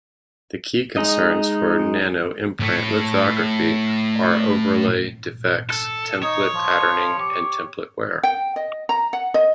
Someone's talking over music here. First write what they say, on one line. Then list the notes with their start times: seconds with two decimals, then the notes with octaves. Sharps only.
The key concerns for nanoimprint lithography are overlay, defects, template patterning and template wear.
0.97 G#3 D#4 D#5
2.60 A2 A3
5.70 A4
6.23 D#4 C#5
6.54 F3
7.19 G4
8.23 G5
8.56 D#5
8.89 A#5
9.13 F#5
9.34 D#5